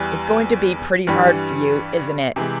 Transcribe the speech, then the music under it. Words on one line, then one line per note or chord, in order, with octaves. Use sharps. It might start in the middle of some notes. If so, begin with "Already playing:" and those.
"It's going to be pretty hard for you, isn't it?"
Already playing: E2 E3 G3
G2 E3 G3
C3 E3 G#3